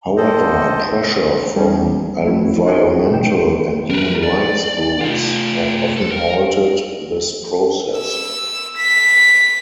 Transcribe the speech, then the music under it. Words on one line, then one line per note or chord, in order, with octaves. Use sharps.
However, pressure from environmental and human rights groups have often halted this process.
A4 C5 D#5
G3 C#4 D#4
F3 A3 E4 F#4
D#4 F4 F#4 G#4 A#4
B2 D#3 G5 E7
A#4 B4
D5
A3 F4
A4
A#4
E6
B6